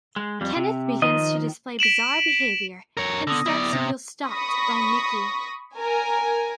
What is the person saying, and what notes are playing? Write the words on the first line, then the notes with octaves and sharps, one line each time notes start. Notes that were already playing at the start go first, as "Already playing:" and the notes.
Kenneth begins to display bizarre behavior, and starts to feel stalked by Nikki.
G#3
F2 G3
C3
D#3 F3 D#5
B6 D7 E7 F#7
A#4 C#5
D3 B3 D#6 A#6
E4 D5
C3
B5 C#6 D#6 A#6
A#4 G#5